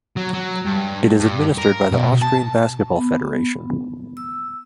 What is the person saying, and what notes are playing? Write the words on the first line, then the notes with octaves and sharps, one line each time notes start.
It is administered by the Austrian Basketball Federation.
F#3
F#3
G2
G2
A#4
B2
A5
B3
E6